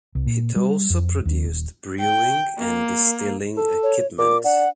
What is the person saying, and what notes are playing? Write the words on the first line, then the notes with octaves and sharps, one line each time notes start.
It also produced brewing and distilling equipment.
C2
A#2
G3
F2
D#2
D#1
G5
A#3
A4
C#5
A#2 D6
D4 F#5